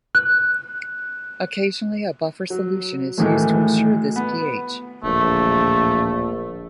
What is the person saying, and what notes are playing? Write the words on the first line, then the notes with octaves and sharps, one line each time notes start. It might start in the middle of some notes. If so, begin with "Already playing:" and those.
Occasionally, a buffer solution is used to ensure this pH.
F#6
F#3
A2 D#3 E3 F#3 G#3 A3
B3
D1 A#1 A3